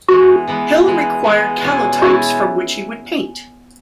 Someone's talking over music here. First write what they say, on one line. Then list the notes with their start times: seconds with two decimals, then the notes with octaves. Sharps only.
Hill required calotypes from which he would paint.
0.09 E3 G#3 B3 F#4
0.47 E3 G#3 B3
0.86 E3 G#3 B3
1.24 E3 G#3 B3
1.62 E2 B2 G#3 C#4 E4
2.02 B2 G#3 C#4 E4 F#4